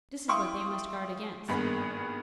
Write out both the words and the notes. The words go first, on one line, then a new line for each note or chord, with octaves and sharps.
This is what they must guard against.
E4 F5 G5 C6 C#6 D#6
G#1 G2 A#3 B3 G#4 B5